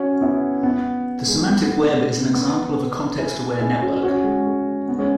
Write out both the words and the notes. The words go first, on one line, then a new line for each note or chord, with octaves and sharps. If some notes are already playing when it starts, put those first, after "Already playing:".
The Semantic Web is an example of a context-aware network.
Already playing: C#4 F#4
B3 E4
B3
G#3
B3
B3
E4 G#4
E4 G#4
C#4 F#4
C#4 F#4
G#3
G#3
B3
G#3 C#4